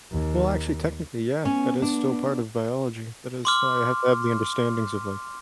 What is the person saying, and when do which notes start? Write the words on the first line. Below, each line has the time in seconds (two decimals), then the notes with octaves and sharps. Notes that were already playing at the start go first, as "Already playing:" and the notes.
Well, actually technically, yeah, that is still part of biology, that is why I have to have the understandings of like
0.12 D#2
1.45 B3 C#4
1.82 D4
3.45 C6 D6 F6